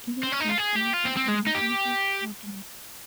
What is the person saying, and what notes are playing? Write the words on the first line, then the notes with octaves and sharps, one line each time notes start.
Egede was also an accomplished botanist.
C4
C#4
D#4
F4
G#4
G4
F4
C4
C4
G#3
D#4
G4